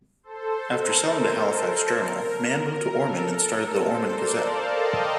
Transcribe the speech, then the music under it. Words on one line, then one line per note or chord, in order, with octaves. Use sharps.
After selling the "Halifax Journal", Mann moved to Ormond and started the "Ormond Gazette".
A4 C5
A#4
A4
A#4
A#4
A#4
A4
A#4
A#4
A4 C5
A#4 D5
F5 A5
D#5 G5